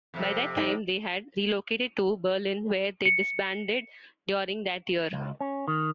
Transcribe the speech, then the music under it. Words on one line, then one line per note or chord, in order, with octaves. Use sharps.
By that time they had relocated to Berlin where they disbanded during that year.
F2 C3
D#4 D5 G5
C#7
C#2
C#4
D#3